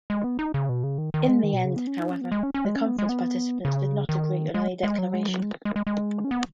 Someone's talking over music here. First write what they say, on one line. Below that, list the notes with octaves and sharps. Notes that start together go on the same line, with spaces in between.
In the end, however, the conference participants did not agree on any declaration.
G#3
B3
D#4
C#3
B2
C#3
D#3
D#3
G#3
D#3
B2
C#3
B3
C#4
D#4
C#4
B3
G#3
C#4
C#4
G#3
C#4
B3
G#3
B3
C#3
D#3
G#3
G#3
F#3
G#3
F#3
G#3
G#3
G#3
G#3
C#4
B3